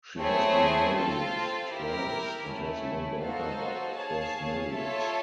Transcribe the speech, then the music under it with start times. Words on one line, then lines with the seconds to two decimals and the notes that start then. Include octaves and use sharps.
She has been married twice and has one daughter by her first marriage.
0.19 A3 C4 E4 G#4 C#5
0.95 C4 F4 A4
1.69 E4 G4 A#4
2.45 A3 C#4 E4
3.20 D#4 F#4 A4 C5 F5
3.95 G#4 C#5 F5 A5
4.72 F4 A4 C#5 E5